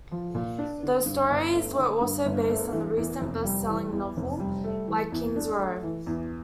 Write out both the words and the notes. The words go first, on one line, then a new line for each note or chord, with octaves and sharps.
Those stories were also based on a recent best-selling novel like "Kings Row".
F3
A#2
D4
D3
G2
G1
A3
D3
G2
G1
A3
E3
E2
F1
G3
E3
E2
F1
G3
A3
E3
E2
D4
A3
E3
E2